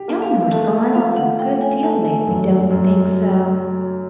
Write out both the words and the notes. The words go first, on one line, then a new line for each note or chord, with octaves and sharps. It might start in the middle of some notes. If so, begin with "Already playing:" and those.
Eleanor's gone off a good deal lately, don't you think so?
Already playing: G4
A#3
F5
A3 A5
F3 F5
F#5
A3 G5
G#5
A3 A5
G#5
F#2
F#2
F#3
F#3